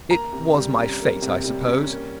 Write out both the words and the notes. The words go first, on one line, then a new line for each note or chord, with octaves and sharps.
It was my fate, I suppose.
A#3 A#5
C3
G3
C#4
A#3
C3
G3
C#4
A#3